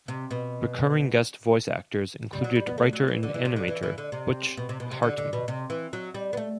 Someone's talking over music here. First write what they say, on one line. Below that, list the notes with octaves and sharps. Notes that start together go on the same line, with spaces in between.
Recurring guest voice actors included writer and animator Butch Hartman.
C3
B2
G3
F#3
G3
B3
A3
F#3
E3
D3
E3
C3
D3
E3
E3
D3
C3
B2
C3
B2
C3
D3
D3
B2
C3
E3
F#3
G3
B3
A3